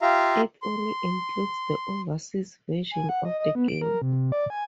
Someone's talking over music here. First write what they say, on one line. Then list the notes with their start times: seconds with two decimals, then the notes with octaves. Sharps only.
It only includes the overseas version of the game.
0.02 F4 G4 E5 F5 A#5
0.62 C6
2.91 G#5
3.09 F#5
3.25 D#5
3.39 D#5
3.55 B3
3.68 D7
3.82 A#4
4.02 C3
4.32 D5
4.50 G#5